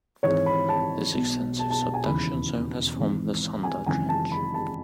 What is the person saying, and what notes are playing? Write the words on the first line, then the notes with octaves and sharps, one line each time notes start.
This extensive subduction zone has formed the Sunda Trench.
G#1 G#2 E3 C#5
B5
A5
B1 B2
A5
A5
A5
G#5
E1 D#2 C#3 E3 B5
G#1 G#2 E3
G#5
G#1 F#2 C#3 E3 G#5
A5
B5
A5